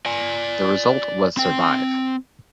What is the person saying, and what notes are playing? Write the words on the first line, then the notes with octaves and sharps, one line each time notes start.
The result was Survive!
D5 G#5
C4 G5